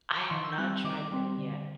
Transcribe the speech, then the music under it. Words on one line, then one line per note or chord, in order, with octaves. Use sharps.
I have not tried them yet.
D6
C#6
D#3 C6
E6
G6
G3 C4 F#6
D#3 D6
G3 C4
D3